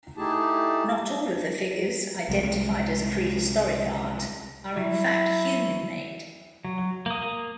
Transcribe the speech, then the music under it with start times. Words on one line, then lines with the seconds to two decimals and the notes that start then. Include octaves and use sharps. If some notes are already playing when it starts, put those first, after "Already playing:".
Not all of the figures identified as prehistoric art are in fact human made.
0.17 A3 D#4 E4 G4 G#4 A5
2.29 C2 G3 G#3
4.77 F#3 E4
6.65 F#3
7.06 A#3 D#6